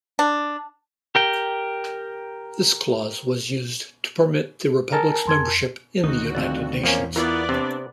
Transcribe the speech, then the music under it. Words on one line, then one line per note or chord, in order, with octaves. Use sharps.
This clause was used to permit the republic's membership in the United Nations.
D4
G4 A#4 G5
A#4 G#5 A5
F2 C6 G#6
D2 D#3 D#4 F#4
C2 F2 C4 D5
E2 F3 A#3 C#4
E3 B3 E4 F4 A#4 D5
C3 C4 D4